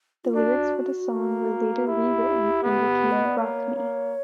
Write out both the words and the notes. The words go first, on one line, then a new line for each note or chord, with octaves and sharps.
The lyrics for the song were later re-written and became "Rock Me".
F4
D4 F#4
A#3
E4 G4
B3
D#5
D5
A#3 C#5
A#3